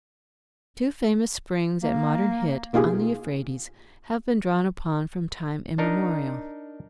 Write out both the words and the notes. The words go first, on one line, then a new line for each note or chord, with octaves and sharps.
Two famous springs at modern Hit, on the Euphrates, have been drawn upon from time immemorial.
A#3
B2 A#3 D#4 F4 G4 G#4
D4 D#4 A#4